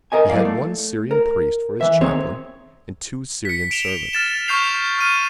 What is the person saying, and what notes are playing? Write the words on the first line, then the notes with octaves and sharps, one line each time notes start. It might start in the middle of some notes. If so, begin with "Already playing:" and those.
He had one Syrian priest for His chaplain, and two Syrian servants.
A#4 D#5 G#5
F#3 E4 D5 F5
A3
A#4
E3 E5
D#3 C4 G#4 C#5
B6 C#7
D7 E7 F7 G7
F6 A6 E7
C#6 F6 G6 C7 F7
F6 D#7